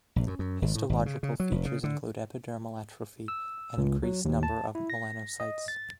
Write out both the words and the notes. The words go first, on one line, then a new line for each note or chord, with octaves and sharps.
Histological features include epidermal atrophy and increased number of melanocytes.
A#1
F#2
F#2
G#1
A2
G#1
C#3
C#3
F#3
F1
C#3
D3
E6
C#2
F#3
D#2
A5
E4
A#6
D#5
A6